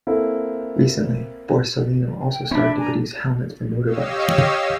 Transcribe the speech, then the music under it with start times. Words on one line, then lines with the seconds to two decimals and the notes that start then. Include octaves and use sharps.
Recently, Borsalino also started to produce helmets for motorbikes.
0.07 A#3 C4 E4 A4
2.31 G5
2.51 C4 D4 E5 B5
2.79 G#5 A#5
3.85 G4 C#5 D#5 F5 E6